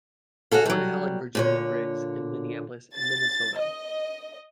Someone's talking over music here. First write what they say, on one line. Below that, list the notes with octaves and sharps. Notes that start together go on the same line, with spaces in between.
Born Helen Virginia Briggs in Minneapolis, Minnesota.
F#4 G#4 A4 F5
F#3 G3
A#2 D3 C#5
A6
D#5